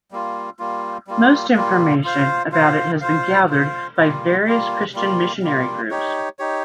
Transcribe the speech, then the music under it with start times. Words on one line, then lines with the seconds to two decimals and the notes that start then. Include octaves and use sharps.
Most information about it has been gathered by various Christian missionary groups...
0.11 G3 A#3 F4
0.59 G3 A#3 F4
1.07 G3 A#3 F4
1.56 G3 A#3 F4
2.04 F4 C5 F5
2.52 F4 C5 F5
3.01 F4 C5 F5
3.49 F4 C5 F5
3.97 G3 A#3 F4
4.46 G3 A#3 F4
4.94 G3 A#3 F4
5.42 G3 A#3 F4
5.91 D#4 G4 C#5
6.39 D#4 G4 C#5